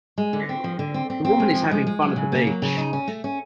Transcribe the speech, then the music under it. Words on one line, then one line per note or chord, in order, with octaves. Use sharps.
The women is having fun at the beach.
G#3
D3
C4
F3
D3
C4
C4
C4
G#3
F3
G#3
G#3
F#3
C#3
A#3
F#3
C#3
D#4
C#4
A3
C#4